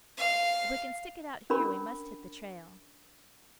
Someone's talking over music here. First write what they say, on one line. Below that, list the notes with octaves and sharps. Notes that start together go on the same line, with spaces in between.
If we can stick it out here we must hit the trail ...
F5
C#4 D4 A#4 B5